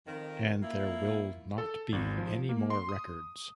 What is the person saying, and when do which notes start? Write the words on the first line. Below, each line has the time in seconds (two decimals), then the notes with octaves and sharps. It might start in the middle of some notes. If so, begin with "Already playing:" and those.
And there will not be any more records.
0.07 F2 D#3
0.62 A#3 E4 F4
1.58 A4
1.92 G#1
2.18 F3
2.49 A#3
2.70 C6
2.89 D#6